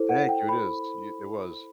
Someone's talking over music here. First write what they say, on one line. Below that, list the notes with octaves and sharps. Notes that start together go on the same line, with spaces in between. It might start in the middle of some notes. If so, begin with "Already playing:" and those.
Thank you, it is. Y it was.
Already playing: E4 A4 C5
F#5
G5
B5